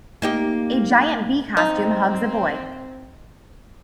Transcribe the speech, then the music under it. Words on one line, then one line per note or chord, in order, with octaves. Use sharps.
A giant bee costume hugs a boy.
A#3 D#4 G4
C4 D#4